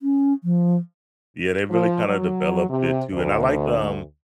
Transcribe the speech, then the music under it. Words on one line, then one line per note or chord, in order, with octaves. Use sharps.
Yeah, they really kinda developed it too, and I liked, um
C#4
F3
F3
F#3
C3
D2